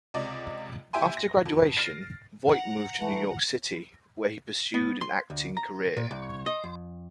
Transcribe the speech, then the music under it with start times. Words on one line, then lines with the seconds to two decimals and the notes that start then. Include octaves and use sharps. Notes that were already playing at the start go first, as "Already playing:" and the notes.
After graduation, Voight moved to New York City, where he pursued an acting career.
0.14 C#2 C3 D5 D#5
0.93 E4 G4 E5 G5 G#5 C6
1.17 A#6
1.46 F2
1.76 F6 A6 A#6 C7 D7
2.47 F#5 A#5
2.99 E3 A3
4.74 B3
5.01 C6
5.30 D2
5.57 A#5
5.97 A#2
6.11 C2
6.46 D#5
6.64 F2